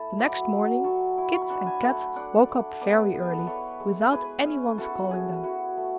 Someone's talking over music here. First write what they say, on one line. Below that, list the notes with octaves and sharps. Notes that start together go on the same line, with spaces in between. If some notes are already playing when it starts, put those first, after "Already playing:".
The next morning Kit and Kat woke up very early, without any one's calling them.
Already playing: A3 E4 A5
F#3 B5 D6
F#3
F#3 A5 C#6
E4
C#6
B5
D4 F#5 A5
G#5 B5
A3 F#5 A5
D4 D5 F#5
A3
B3 B4 D5
B3
G#4
A4
B4
E4 A4 C#5
G#3
E4 G#4 B4
C#4 G#4
E4 F#4 A4
C#4 G#4
E4 F#4
A3